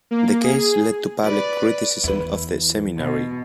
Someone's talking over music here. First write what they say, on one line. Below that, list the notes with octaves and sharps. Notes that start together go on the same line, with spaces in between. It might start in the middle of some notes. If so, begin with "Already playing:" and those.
The case led to public criticism of the seminary.
A#3
G#4
B4 D5
E2 E4 B4
B2